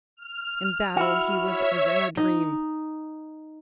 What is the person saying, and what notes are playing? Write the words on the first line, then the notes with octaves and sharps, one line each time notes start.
In battle he was as in a dream.
F6
E4 F#4 F6
C#5 E5
D#4